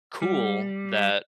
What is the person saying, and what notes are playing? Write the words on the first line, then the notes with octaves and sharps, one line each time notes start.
cool that
G3